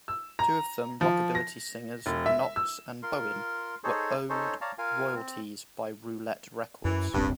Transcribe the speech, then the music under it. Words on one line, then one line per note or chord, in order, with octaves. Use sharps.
Two of them, rockabilly singers Knox and Bowen, were owed royalties by Roulette Records.
E6
A#5
F3
A#6
E1
E5
E6
F4 A#4 C6
D#4 G#4 A4 C5 C#5
C#4 D#4 A4 C5 C#5
C#5 D5 F5 A5 A#5
F4 A#4 F5 G#5
C4
F#2 E3
D1 G1 G2 C4